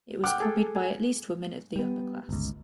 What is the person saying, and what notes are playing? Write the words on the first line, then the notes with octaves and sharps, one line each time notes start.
It was copied by at least women of the upper class.
F#5 G5 D6 F6 F#6
G#4 A4
G#5
G3 B3
G1 C#2